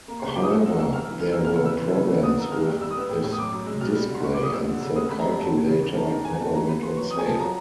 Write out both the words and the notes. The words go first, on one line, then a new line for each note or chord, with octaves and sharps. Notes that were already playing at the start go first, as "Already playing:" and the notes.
However, there were problems with this display and the calculator never went on sale.
A#3
C#3 C6
C#6
F3 D6
D#6
G#3 E6
G#3 E6
A#3 E6
A#3 F6
E3
E3 F6
A#3 E6
F6
C#3
B3 E6
E3
C#3
B3
D3 D#6
A#3 E6
G#3 F6
G2
G3 E6
D#6
B3 E6
A2
A2
D#6
F#2 D6
F#2
G#3 E6
B2 F6
G3
D3
C6
G3 C#6
A#2 D6
D#6
G2 E6
D3
C#3 E6
G#3 D#6
A3 B5
A#5
G2 B5
F#3 A5
B2
C#3
E2
D#3 A5
D#3
E2 G#5
E2 A5
E3 A#5
E3 B5
B3 C6
F#3 C#6
F2 D#6
G#5
F3 A5
F#3 A#5